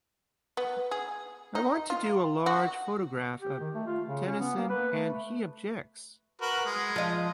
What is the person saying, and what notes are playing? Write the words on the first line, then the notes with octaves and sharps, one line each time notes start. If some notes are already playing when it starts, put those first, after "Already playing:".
I want to do a large photograph of Tennyson and he objects!
B3
G#4
D#4
F4
F#4
G4
D#3
A3
F4
C#3
C#4
B3
A#3
B4
A3
F#4 A#4 B4
G#3
F3 D#5